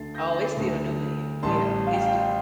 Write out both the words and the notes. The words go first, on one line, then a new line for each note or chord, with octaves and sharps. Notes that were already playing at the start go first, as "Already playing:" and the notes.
Oh, it's still new then, yeah, it's d
Already playing: D2 D3 A3 A6 C7
G6 A#6
D2 D3 A3
A1 A2 G3 A5 C6
F5
G5
F5
G5